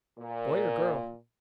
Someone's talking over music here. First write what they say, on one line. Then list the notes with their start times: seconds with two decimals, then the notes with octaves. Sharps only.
"Boy or girl?"
0.18 A#2